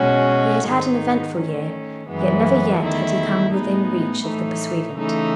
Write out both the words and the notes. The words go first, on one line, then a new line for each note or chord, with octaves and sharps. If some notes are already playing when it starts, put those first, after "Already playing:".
He had had an eventful year, yet never yet had he come within reach of the pursuivant.
Already playing: B2 G#3 C#4 F#4 C#5
G#2 D#3 G#3 D#4
D#3 A3 C#4
F#2 E3 G#3 B3
E2 D#3 A3 E4
A2 G#3 B3 D#4
A2 E3 A3 D#4
C#3 E3 A3 D#4